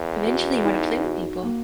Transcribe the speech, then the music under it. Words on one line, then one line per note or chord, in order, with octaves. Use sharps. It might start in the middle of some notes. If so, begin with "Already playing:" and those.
Eventually, you wanna play with people.
Already playing: E2
F#4
D#4
F#4
A#3